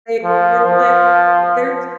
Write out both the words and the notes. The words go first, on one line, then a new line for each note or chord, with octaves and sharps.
they it's like, uh, they're, t
F3
F3